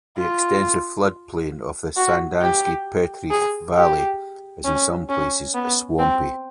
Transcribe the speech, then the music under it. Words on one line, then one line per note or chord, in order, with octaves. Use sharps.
The extensive floodplain of the Sandanski–Petrich Valley is in some places swampy.
F4
F#4
G4
G#4
G4
C#4
C#4
B3
C4